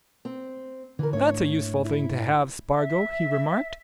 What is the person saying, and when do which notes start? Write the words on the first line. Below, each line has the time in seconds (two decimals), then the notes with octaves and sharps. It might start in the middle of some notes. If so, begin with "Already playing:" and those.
"That's a useful thing to have, Spargo," he remarked.
0.25 C4
0.99 D3 E3 A#4
1.13 G#2 A3 D4 E4 C#5
1.85 E4
2.77 E5